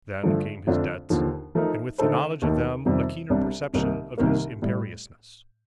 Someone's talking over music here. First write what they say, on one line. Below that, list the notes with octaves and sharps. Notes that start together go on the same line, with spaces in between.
Then came his debts, and with the knowledge of them a keener perception of his imperiousness.
G2 D3 F3 A3
F2 D3 A3 D4 F4
D#2 D3 F3
F3 A3 D#4 A#4
D3 A3 D#4 A4 C5
D#2 D#3 A3 D#4 A4
F2 C3 D#3 G3
C2 C3 G3 D4
C2 C3 D#3 A#3 D#4
C2 C3 D#3 A#3
A2 G3